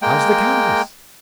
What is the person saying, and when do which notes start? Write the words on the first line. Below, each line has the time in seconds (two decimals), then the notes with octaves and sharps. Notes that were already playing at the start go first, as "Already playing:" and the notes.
How's the countess?
0.02 G#3 A#3 G5